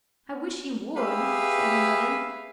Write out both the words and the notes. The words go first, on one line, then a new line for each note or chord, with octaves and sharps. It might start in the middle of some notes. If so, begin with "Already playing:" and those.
"I wish he would!" said her mother.
G4 G#4 B4 E5 F5